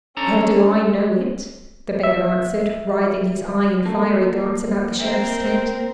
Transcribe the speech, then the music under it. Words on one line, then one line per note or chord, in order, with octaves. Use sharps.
"Well do I know it," the beggar answered, writhing his eye in fiery glance about the Sheriff's tent.
C#4 D4 A4 A#5
E5
A3 A#3
C4 A#4 C5 E5 G5